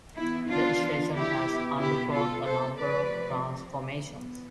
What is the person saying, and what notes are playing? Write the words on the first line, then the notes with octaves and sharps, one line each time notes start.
The station has undergone a number of transformations.
E3 B3 E4
D4 F4
E4 G4
B2 B3
E4 G4
F4 A4
A4 C5
C3 F3 A3 C4 B4 D5
E3 B3